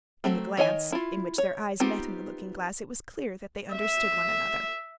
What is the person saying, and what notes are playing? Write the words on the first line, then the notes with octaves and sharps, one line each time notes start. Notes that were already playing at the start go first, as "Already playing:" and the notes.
In the glance, in which their eyes met in the looking-glass, it was clear that they understood one another.
F#3 A3 C4
D#3 C#5 D#5 G#5
E4 F4
C#5
B3 C4 D#4 F4 G4
E5